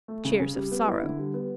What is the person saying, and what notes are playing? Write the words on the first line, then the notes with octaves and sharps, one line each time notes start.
Cheers of sorrow.
A3
C#3
C#3
G3
B3
E4
D3
G3
B3